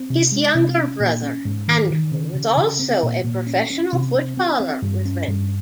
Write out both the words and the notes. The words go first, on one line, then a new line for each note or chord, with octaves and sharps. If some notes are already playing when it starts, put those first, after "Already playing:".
His younger brother Andrew was also a professional footballer with Renton.
Already playing: C4
C3
G#3
C3
C#4
A#2
C#4
G#2
D#3
D#3
C#3
C#3
C#3
C4
A#2
A#2
C#4
C#4
C3
C4
C4
C4
G2
C#4
G2